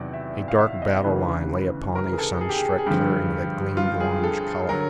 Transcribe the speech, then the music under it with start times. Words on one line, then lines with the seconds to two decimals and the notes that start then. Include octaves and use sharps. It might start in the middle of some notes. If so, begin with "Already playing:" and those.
A dark battle line lay upon a sunstruck clearing that gleamed orange color.
Already playing: E2 C3 D#3 F#3 D5
0.13 E5
0.48 F5
0.58 E5
0.82 D#5
1.04 D2 C#3 E3 B4
1.95 A#4
2.13 G#4
2.18 A4
2.41 G#4
2.49 G4
2.57 G#4
2.78 G#4
2.86 G2 D3 F3 G4
3.77 F4
4.00 G#4
4.24 A4
4.69 D3 F#3 A#4